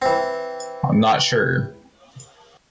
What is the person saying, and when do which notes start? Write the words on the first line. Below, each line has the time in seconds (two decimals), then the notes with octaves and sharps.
I'm not sure.
0.02 E3 C4